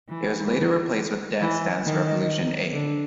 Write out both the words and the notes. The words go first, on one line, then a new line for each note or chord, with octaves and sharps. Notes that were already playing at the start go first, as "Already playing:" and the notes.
It was later replaced with Dance Dance Revolution A.
E3
E3
D#3
D3